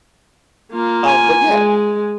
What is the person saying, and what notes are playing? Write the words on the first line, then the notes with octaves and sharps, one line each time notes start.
Um, but, yeah,
A#3 F4
G#5
G#3